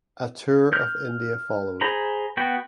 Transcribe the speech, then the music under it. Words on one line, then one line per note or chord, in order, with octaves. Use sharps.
A tour of India followed.
F6 G6
G#4 C5 A#5 B5
B3 F#4 G5